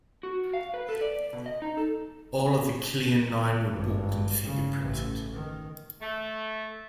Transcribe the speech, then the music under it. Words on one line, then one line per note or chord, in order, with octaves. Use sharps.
All of the "Killian Nine" were booked and fingerprinted.
F#4
F5
B4
A4
D5
B2
D#5
D#4
A4
G#1 G2
C#3
A1
D#3
A3